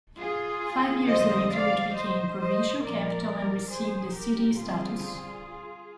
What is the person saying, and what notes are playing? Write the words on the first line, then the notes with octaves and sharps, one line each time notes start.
Five years later it became provincial capital and received the city status.
F4 G#4
F2 D3 G#3 C4 C5 D#5
D5 F5
C5 D#5
C5 D#5
A#2 F3 G#3 A#4 D5
G#4 C5
G4 A#4
D3 G3 C4 F4 G#4